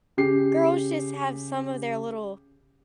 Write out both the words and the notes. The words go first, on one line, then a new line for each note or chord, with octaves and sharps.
girls just have some of their little
C#3 G4 C7